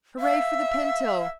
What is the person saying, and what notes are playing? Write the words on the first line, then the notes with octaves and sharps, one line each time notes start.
"Hooray for the Pinto!"
E5 F5